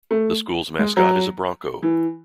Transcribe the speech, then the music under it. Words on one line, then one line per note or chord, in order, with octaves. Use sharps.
The school's mascot is a Bronco.
A3
G#3
F#3
E3